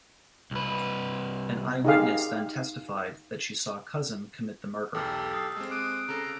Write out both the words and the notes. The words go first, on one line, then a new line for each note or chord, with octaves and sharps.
An eyewitness then testified that she saw Cousin commit the murder.
C2 B4
D#4 G4 G#4 F5
B1 E2 G4 A4 F6
D#6 C7
G#3 C4
D6 D#6 F#6 D7
C#3 A4 A#5